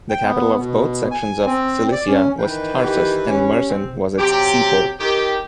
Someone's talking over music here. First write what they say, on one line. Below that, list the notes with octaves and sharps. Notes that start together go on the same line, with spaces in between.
The capital of both sections of Cilicia was Tarsus and Mersin was its seaport.
G5
B3
B2
G#5
C4
D5
C#4
D#3 E3 B4 G5
G4
C#4
C4
C3 F#3 G4
D#3 G4